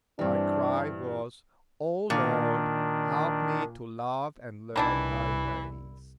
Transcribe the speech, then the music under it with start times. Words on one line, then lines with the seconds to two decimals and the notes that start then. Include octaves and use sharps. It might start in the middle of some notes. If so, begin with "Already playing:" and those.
My cry was "O, Lord, help me to love and learn thy ways."
0.19 G2 E3 G3 C4 D4
2.10 A#2 D#3 D4
4.76 C2 D#3 E3 D4 E4